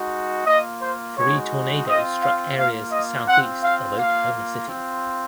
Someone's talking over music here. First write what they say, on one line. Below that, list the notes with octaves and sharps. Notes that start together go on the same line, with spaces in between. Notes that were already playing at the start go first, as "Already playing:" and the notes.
Three tornadoes struck areas southeast of Oklahoma City.
Already playing: G#3 D#4 F#4
A#3 F4 D#5
C5
G#3 D#4 F#4 C#5
C4 F4 D#5
F5
A#3 F4 F5
D#5
C4 F4 F#5
F5
A#3 F4 F5
C4 F4